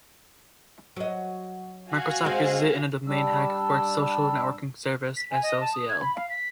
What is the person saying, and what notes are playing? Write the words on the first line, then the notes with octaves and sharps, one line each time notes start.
Microsoft uses it in a domain hack for its social networking service so.cl.
F#3 D#5
F#4 F5 G#5
G#3 C4
G3 D4 E6
B6
G#5
D#5
A5
D#6
G#6
B5
F5
B6